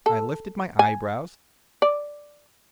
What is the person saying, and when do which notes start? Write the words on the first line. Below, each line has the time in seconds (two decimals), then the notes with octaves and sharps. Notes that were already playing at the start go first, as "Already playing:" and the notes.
I lifted my eyebrows.
0.06 A4
0.79 G#5
1.82 D5